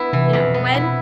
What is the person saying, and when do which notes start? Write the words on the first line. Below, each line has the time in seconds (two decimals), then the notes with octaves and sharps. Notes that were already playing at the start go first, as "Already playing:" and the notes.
you know, when
Already playing: B3 E4
0.13 C3 E3
0.33 F2
0.44 B2
0.54 B3
0.74 E4